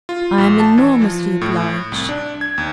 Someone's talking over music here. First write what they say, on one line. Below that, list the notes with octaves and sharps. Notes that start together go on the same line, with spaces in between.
I am enormously obliged.
F4
A#1
A5
E3
F3
A2
C2
D4
G#6
D#2